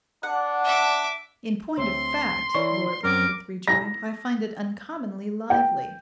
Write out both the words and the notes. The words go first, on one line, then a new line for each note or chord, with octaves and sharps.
"In point of fact," Lord Lambeth rejoined, "I find it uncommonly lively."
D4 F#5
E5 D6
D2 C4 C#5 E5 C6
E3 E4 A#4 C#5 D5 C#6
F#2 C4 A#4 D6
A#6
G5